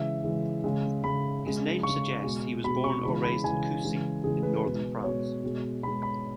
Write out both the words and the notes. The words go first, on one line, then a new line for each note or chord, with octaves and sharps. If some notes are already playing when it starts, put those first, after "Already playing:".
His name suggests he was born or raised in Coucy in Northern France.
Already playing: C#3 E3 G#3 E5
C#3 E3 G#3
C#3 G#3
C#3 G#3 B5
C#3 G#3
C#3 C#6
G#3
B2 G#3
B2 G#3 B5
C#6
C#3 E3 G#3 B5
B5
C#3 E3 G#3 G#5
C#3 E3 G#3
C#3 E3 G#3 G#4
B4
B2 G#3
B2 G#3 C#5
B2 G#3
B2 G#3 B5
B5